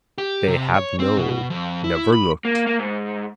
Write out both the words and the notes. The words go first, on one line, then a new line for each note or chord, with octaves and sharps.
They have no. Never looked.
G4
C3
C#5
C4
B2
F2
E4
B5
A#3
A#3
G#2